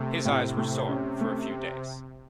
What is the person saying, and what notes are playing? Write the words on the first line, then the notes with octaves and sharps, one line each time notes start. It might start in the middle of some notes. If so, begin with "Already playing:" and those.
His eyes were sore for a few days.
Already playing: C3 A3
A2
A3
C#4
A3